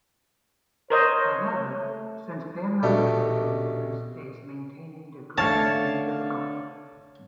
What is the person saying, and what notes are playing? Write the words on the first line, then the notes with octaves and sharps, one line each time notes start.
However, since band members lived in different states maintaining the group became difficult.
A#4 C5 C#5 D#5
A3
A#1 B2 A3 D4 G4
D3 A3 C#5 F5 A5